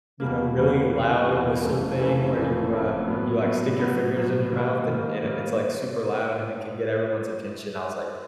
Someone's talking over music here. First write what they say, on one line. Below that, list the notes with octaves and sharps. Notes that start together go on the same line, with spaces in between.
you know, really loud whistle thing where you, uh, you, like, stick your fingers in your mouth and it, uh, it's, like, super loud and it can get everyone's attention, I was, like
E2 B2 G3 A#3
E2 B2 G3 A#3
E2 B2 G3 A#3
E2 B2 G3 A#3
F#1 F2 C#3 E3 A3
F#1 F2 C#3 E3 A3
F#1 F2 C#3 E3 A3
F#1 F2 C#3 E3 A3
A2 F#3 B3
A2 F#3 B3
A2 F#3 B3
A2 F#3 B3
G#2 D#3 G3 A#3
G#2 D#3 G3 A#3
G#2 D#3 G3 A#3